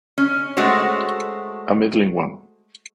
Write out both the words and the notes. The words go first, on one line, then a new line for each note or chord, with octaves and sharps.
A middling one?
C#4
G#3 A3 F#4 C5 C#5